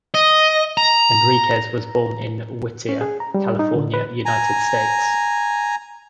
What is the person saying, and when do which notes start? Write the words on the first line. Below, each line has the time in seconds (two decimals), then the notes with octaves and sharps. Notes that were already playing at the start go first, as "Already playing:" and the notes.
Enriquez was born in Whittier, California, United States.
0.14 D#5
0.77 A#5
2.89 C#4
3.01 G#4
3.20 A#5
3.34 G3
3.59 D#4
3.76 D3
3.94 B4
4.25 G#5 A#5